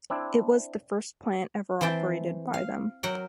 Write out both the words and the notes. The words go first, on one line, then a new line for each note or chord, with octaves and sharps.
It was the first plant ever operated by them.
C4 D4 E4
E3 C4 C5 G5 A5
F5
F#3 A#4 F#5 G5